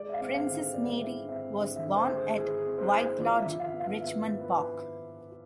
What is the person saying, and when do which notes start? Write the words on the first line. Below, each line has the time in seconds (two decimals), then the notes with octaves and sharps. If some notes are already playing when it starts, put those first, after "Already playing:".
Princess Mary was born at White Lodge, Richmond Park.
Already playing: G#3 D5
0.09 E5
0.13 F5
0.20 C4
0.34 F5
0.47 D3
0.74 G#3 D5
1.01 E4 E5
1.29 C4 E5
1.56 D3
1.76 E5
1.83 D3
1.96 C5
2.10 G#3
2.17 G#4
2.37 E4 G#4
2.65 C4
2.78 C5
2.92 E4
3.18 F3 D5
3.39 E5
3.46 F3
3.60 F5
3.73 B3
3.80 F5
4.00 B3 E5
4.27 B3
4.41 B4